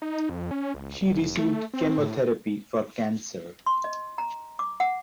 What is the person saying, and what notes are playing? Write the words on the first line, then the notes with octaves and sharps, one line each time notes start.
She received chemotherapy for cancer.
D#4
F2
C#4
C#2
F1
A3
C4
A2
C6
D#5
A#5
D6
F#5